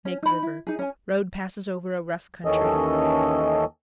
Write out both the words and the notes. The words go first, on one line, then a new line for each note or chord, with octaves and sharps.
Snake River.--Road passes over a rough country.
C#4
D#4 B5
E4
D#4 G#4
C#4 G#5
D#2 D#3 E3 C#4 A4 D#5